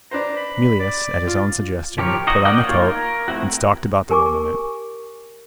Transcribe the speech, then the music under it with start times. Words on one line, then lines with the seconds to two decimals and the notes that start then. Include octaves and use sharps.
Mealyus, at his own suggestion, put on the coat, and stalked about the room in it.
0.11 D4 B4 C5 A#5
0.37 B5
0.80 D5
1.27 F4
1.98 F3 G4 A#4 C#5
2.27 D#4 F#4 D#5
2.45 A#4 D5 D#5 F#5 G5
2.63 A#3 D#4 F4 C#5
2.88 A#4
3.28 F3 A3 C4 E4 F#4
4.09 G4 A#4 G#5 C#6 D6